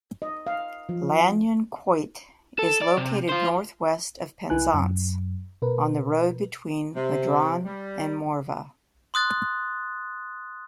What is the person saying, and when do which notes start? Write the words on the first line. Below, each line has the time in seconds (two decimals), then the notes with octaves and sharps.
Lanyon Quoit is located northwest of Penzance on the road between Madron and Morvah.
0.22 D#5
0.47 F5
0.89 F3
2.59 A4
2.81 D5
2.97 C3
3.29 F4 C5
4.50 C2 E4 B4 G#5 F#6
4.74 F#2
5.62 B2 A#4 B4
6.95 C3
7.64 G3
9.14 C6 D#6 F#6 A6